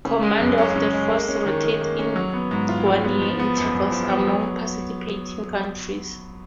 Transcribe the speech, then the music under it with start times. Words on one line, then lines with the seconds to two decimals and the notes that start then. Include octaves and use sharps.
Command of the force rotates in one year intervals among participating countries.
0.05 C#3
0.23 G#3
0.40 F#2
0.58 C#4
0.76 C#3
0.93 G#3
1.11 A#3
1.28 C#4
1.46 D#3
1.64 D#3
1.81 A#3
1.98 C#4
2.16 F#3
2.33 B3
2.51 G#2
2.69 F4
2.86 F#3
3.04 B3
3.22 F3
3.39 B3
3.57 F#2
3.75 F#2
3.92 F3
4.10 B3
4.27 F#3